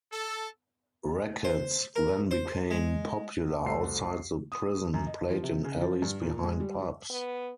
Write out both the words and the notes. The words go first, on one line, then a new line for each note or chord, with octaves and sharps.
Rackets then became popular outside the prison, played in alleys behind pubs.
A4
C5
A#4
C5
G#3
C2 A3 F#4 C5 C7
D#6
F#2
D#5
F3
C3
C#3
F3
G2
A#2
G#3
G3
B3